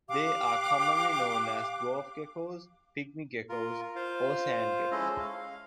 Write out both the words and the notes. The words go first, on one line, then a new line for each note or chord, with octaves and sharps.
They are commonly known as dwarf geckos, pygmy geckos, or sand geckos.
G4 F5 D6 F#6
F4 A#4
F4 C5 F5
G#3 C#4 E4 A4 D#5
F5